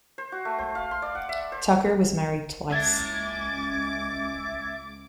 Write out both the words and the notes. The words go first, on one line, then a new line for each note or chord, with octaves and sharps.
Tucker was married twice.
C5
F#4
A3
C5
F5
C6
D5
F#5
E5
C5
C#2 C#4 E5 A5 D6 G#6 A6